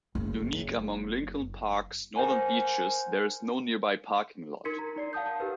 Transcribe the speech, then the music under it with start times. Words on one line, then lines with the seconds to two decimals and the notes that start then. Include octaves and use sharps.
Unique among Lincoln Park's northern beaches there is no nearby parking lot.
0.15 F#1
2.16 A#4 C5 F#5 G#5
4.65 D#4 A#4 C6 G#6 B6 C#7
4.79 A#5
4.96 D#4 D5 C7
5.13 F5 F#5 A5 D#6 G6
5.26 A5
5.40 G4 A#4 B4